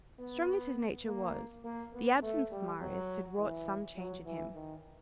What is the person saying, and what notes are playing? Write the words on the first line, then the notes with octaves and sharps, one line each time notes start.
Strong as his nature was, the absence of Marius had wrought some change in him.
B3
A#3
A#3
B3
A3
G3
F#3
E3
F#3
E3
D#3